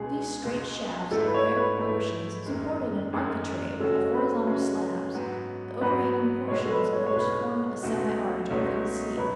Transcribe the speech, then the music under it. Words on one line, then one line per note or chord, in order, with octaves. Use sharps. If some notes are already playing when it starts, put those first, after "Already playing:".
These straight shafts, of fair proportions, supported an architrave of horizontal slabs, the overhanging portion of which formed a semi-arch over the sea.
Already playing: C#2 B2 G#3 G#4
C#2 B2 G#3
G#2 E3 A3 E4 A4
B4
C#5
B4
G#2 E3 A3 E4 B4
F#2 D#3 G#3
F#2 D#3 G#3
C#3 G#3 C#4 F#4 A4
B4
C#3 G#3 C#4 F#4
G#2 F#3 B3 F#4
G#2 F#3 B3 F#4 B4
B1 B2 G#3 B3 C#5
A4
B4
C#5
C#5
B1 B2 G#3 B3 B4
C#2 B2 A3 D#4 F#4
C#2 B2 A3 D#4 F#4 C#5
B2 F#3 B4